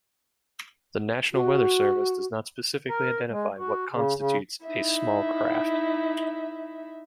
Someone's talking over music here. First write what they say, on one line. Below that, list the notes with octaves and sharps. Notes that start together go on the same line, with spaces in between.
The National Weather Service does not specifically identify what constitutes a "small craft".
F#4
A#4
G#3
F#4
C#3
C#3
D#4 E4 E5